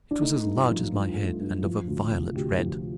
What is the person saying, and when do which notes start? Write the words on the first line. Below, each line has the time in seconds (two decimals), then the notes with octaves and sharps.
It was as large as my head, and of a violet red.
0.11 D4
0.21 A3 D#4
0.45 G2
0.57 F4
0.69 F3
0.92 G2
1.16 A3
1.40 G2
1.64 F3
1.87 D2
2.11 C3
2.35 D2 G4
2.58 F3